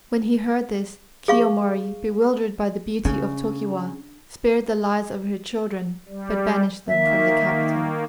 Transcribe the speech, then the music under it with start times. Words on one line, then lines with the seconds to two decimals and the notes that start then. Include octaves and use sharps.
When he heard this, Kiyomori, bewildered by the beauty of Tokiwa, spared the lives of her children, but banished them from the capital.
1.28 G#4 F5 C#6
3.05 C#3 D4
6.09 G3
6.88 D#3 A#3 E5